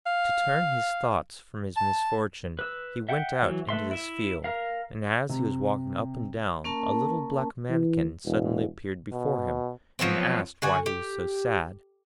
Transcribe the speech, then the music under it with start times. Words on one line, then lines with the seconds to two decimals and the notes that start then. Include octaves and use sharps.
To turn his thoughts from his misfortune, he went out into this field, and as he was walking up and down a little black Mannikin suddenly appeared before him, and asked why he was so sad.
0.06 F5
1.77 A5
2.59 B4 E6
3.09 E5 F#5 G5
3.42 E3 F#3
3.69 A3 B4 E5 C6
3.91 E4 E5
4.44 A#4 F5
5.29 C3
6.64 A#3 C#4 A#4 A5
7.70 E3
8.26 E1
9.12 B2
9.99 F3 F#3 B3 C4
10.62 D3 G3 F#4 G#5
10.86 G4